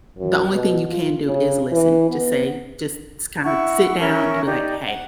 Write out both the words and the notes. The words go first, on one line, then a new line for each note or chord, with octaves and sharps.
the only thing you can do is listen, just say just kinda sit down and be, like, "Hey,
F#2
B2
F4
C#3
E3
B3
E4 E5 F#5 C#6
C#4 A#4 E5 C#6
D#4 G4 D5
F#5